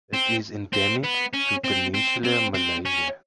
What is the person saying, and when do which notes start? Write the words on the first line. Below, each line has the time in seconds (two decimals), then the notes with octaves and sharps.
It is endemic to Peninsular Malaysia.
0.13 C4
0.73 C4
1.04 B3
1.34 C#4
1.64 C4
1.94 C4
2.25 C4
2.55 C4
2.86 C#4